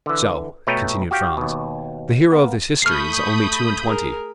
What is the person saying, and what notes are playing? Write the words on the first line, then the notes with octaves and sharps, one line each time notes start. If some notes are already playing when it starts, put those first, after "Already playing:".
"So," continued Franz, "the hero of this history is only two and twenty?"
D3 E3
B2 A3 B4 C#5 G5 A#5
F#4 G4 F5 G5
D#2 B2
A#3 B3
A3 B5 C#6 D#6 F6 G6 C7
G#4 A#4